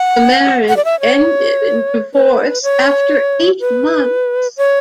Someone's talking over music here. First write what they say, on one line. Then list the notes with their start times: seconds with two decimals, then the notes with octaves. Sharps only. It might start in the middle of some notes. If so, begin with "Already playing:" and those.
The marriage ended in divorce after eight months.
Already playing: F#5
0.69 F#5
0.76 D5
0.85 E5
1.00 C#5
2.14 B4
2.63 C#5
3.60 B4
4.57 C#5